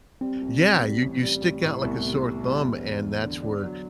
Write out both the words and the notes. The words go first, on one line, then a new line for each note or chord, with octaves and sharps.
Yeah, you you stick out like a sore thumb, and that's where
G3 C4
C2
B2
G3
A1
G3
A1
A2
C2 B3
C3
C3
G3
E1
E2
E1
D3
D4
F#3